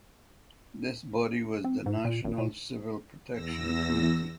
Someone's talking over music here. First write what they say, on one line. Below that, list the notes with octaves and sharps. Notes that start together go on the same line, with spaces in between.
This body was the National Civil Protection Committee.
C4
G#2
A#2
G#1
A#2
E2 E6 A#6